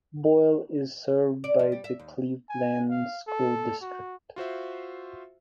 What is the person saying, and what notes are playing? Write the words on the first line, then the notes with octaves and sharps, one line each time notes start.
Boyle is served by the Cleveland School District.
D5
F3
G3
E5
D#2
G#5
F5
A4
F#4
F4 F#4 C5 E5